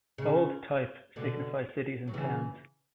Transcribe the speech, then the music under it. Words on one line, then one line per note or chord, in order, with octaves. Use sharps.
Bold type signifies cities and towns.
C#3
B2 D3
F#3
C#3 E3